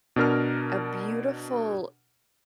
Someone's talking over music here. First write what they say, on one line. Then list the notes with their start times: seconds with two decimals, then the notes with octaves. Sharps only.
a beautiful
0.16 B2 D4 A#4 F6